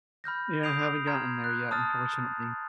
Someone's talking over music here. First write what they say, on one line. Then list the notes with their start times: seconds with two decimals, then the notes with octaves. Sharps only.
Yeah, haven't gotten there yet, unfortunately.
0.24 B5 F6 G6 A#6
0.63 D#6 G6 C7 D7 F7
1.07 A#5 C6 F6 G#6
1.44 F#6
1.71 A5 D#6 F6 A6